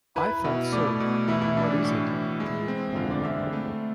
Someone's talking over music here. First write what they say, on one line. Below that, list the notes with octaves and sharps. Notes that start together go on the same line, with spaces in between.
I thought so; what is it, dear?
E4 B4
B2 E5
A3 D5
B2
E3 E4
E4
E3 D4
D4
A2
E3
G#3 E4
C4
D3 F4
D5
C4 E5
A3